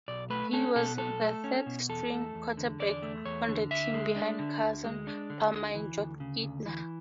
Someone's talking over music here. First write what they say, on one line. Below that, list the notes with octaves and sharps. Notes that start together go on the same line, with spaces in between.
He was the third-string quarterback on the team behind Carson Palmer and Jon Kitna.
B1 D5
A3 B4
C#4 A4
B2 A4
B1 A4
A3
C#4
B2
E2 A4
A3
E2
D3
E2 D5
A3
E2 C#5
D3
D2 E5
G#3
D4
D3
D2
G#3
D4
D3
D2
E3
D2
C#3
D2
E3